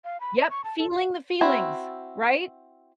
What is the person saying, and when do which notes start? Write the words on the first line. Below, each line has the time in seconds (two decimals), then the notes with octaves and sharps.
Yep, feeling the feelings, right?
0.04 F5
0.20 B5
0.38 D#5
0.50 C#6
0.64 A5
0.78 A4
0.91 F5
1.41 C4 E4 F#4